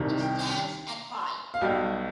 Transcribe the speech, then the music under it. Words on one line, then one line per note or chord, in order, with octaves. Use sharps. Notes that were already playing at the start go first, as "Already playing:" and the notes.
It stands at high.
Already playing: C2 C3 D#3 G3
G5
G5
F5
B1 B2 G3 G5